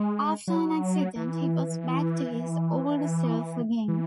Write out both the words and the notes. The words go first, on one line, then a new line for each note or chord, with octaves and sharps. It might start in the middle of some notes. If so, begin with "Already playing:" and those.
After an accident, he was back to his old self again.
Already playing: G#3
F#3
E3
E3